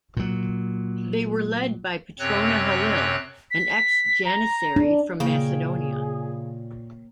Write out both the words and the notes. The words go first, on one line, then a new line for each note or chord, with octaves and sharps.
They were led by Patrona Halil, an ex-Janissary from Macedonia.
A#2 F#3
F#2 C3 C4 C#5 F#6
B6
A#5
D4
A#2 C#3 A#3 G#4 C#5 G5